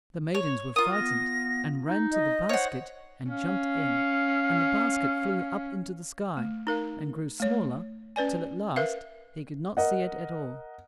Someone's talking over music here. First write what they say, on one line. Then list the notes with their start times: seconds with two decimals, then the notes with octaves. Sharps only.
The maidens were frightened, and ran to the basket and jumped in, and the basket flew up into the sky, and grew smaller till at last he could not see it at all.
0.34 C#5
0.76 F4 A#4 D#6
0.92 B3 A#6
1.85 D#4
2.12 D#5
2.49 C5 C#5 F#5
3.31 C#4 F5
6.37 A3
6.67 D#4 A#4 F5
7.40 A3 C#5
8.16 C#4 B4 D5 G#5
8.76 A#4 B4 E5 F5
9.77 A#4 D#5 F#5